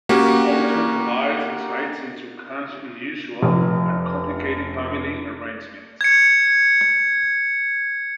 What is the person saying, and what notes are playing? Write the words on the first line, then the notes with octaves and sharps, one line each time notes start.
It also provides insights into Kahn's unusual and complicated family arrangements.
A#3 C#4 F#4 G4
F1 F2
G#6 C#7